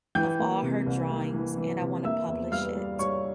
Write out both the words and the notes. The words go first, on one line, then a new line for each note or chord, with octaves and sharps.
of all her drawings, and I wanna publish it
E3 G5 G6
A#3
C3
C2
A#3
E3
E3
C3
A#3 E5 E6
E2
G3 F5 F6
G3
G3 C#5 C#6